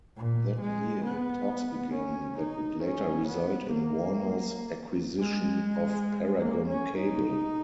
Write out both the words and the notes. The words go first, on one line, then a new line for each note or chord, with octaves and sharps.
That year, talks began that would later result in Warner's acquisition of Paragon Cable.
A#2
G#3
B3
C#4
D#4
C#4
B3
A#3
G#3
A#3
C#4
D#4